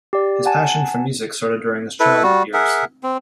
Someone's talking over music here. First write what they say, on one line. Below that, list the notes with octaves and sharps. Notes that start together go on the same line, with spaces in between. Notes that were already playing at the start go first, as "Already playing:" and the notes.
His passion for music started during his childhood years.
G4 D5
F#5 G#5 A5
E4 A4 B4
G3 F#4
G#4 A#4 E5 F#5
C4